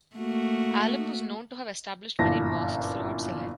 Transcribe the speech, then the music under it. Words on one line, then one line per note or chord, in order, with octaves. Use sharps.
Alam was known to have established many mosques throughout Sylhet.
A3 A#3 F#4
G1 F#2 A#2 E3 A5 A#6